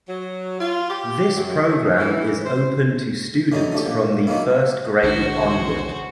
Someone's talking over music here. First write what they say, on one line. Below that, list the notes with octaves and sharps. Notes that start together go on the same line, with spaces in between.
This program is open to students from the first grade onward.
F#3
F4
G4
F#2
A3
E3
C5
D3 E3 F#3 D#4
D3 A3 G4
A#2
D#3 F#3 G#3 A#3 E4
B1 D#3 D4 F#4 C5
C#3 C4 G#4